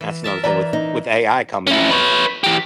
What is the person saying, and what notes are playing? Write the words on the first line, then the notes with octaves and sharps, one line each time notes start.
That's another thing with with AI coming in,
E3
A#4 E5 A5
E3 D5 E5 A#5
D#4
C#4 E4
B4 C#5
E3 G4